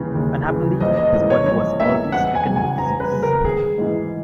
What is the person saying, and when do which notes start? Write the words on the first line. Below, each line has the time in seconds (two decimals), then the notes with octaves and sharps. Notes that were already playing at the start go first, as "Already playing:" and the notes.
Unhappily, his body was already stricken with disease.
Already playing: D#2 C#3 E3
0.15 D#2
0.48 C#3 E3
0.80 A#1 D#5
0.97 D#5
1.13 G#2 E3 A#3 D#5
1.30 C#5
1.46 A#1 C#5
1.80 G#2 E3 A#3 E5
2.12 E2 F#5
2.35 G#5
2.45 C#3 F#3
2.56 G#5
2.78 E2 A#5
3.00 B4
3.11 C#3 F#3
3.23 A#4
3.44 G#1 G#4
3.78 G#2 E3